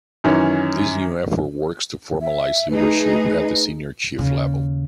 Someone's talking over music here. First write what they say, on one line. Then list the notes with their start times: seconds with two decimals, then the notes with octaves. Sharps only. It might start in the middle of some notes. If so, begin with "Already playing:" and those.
This new effort works to formalize leadership at the senior chief level.
0.24 F#2 D#3 E3 C#4
2.21 E5
2.70 A3 D#4 G#4 B4
4.18 D#2 C#3